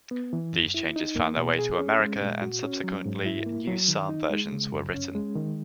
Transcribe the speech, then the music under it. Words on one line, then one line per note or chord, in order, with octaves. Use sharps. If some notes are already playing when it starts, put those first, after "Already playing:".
These changes found their way to America and subsequently new psalm versions were written.
B3
E3
F#2
E4
D#4
A#3
B2
G#4
C#4
G#3
A#2
F#4
C#4
F#3
G#2
E4
A#3
F#3
D#3
D#4
G#3
C#3
F#2
C#4
G#3
D#3